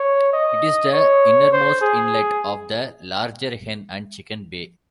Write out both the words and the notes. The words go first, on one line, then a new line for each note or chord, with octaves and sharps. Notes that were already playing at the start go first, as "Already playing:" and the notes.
It is the innermost inlet of the larger Hen and Chicken Bay.
Already playing: C#5
D#5
C#5
C5
G#4